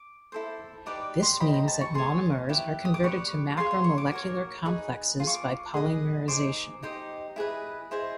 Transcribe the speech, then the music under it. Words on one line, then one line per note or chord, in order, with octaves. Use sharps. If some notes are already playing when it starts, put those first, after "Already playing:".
This means that monomers are converted to macromolecular complexes by polymerization.
Already playing: D6
E4 A4 C5
D#4 G4 B4 D5 D6
C6
G4 C5 D#5 B5
A#5
A5
C#6
G#4 C#5 C6
E4 G4 B4
D#6
D6
G4 B4 D5 C#6
F4 G#4 C#5 C6
C6
C#6
D6
F#4 A#4 C#5
D#4 G#4 B4
F4 G#4
C#6
D6
G#4 B4 D#5
D#4 G#4 C5 D6
D#4 G4 C5 D#5
E4 G#4 B4 D#5
E4 G#4 C5 D#5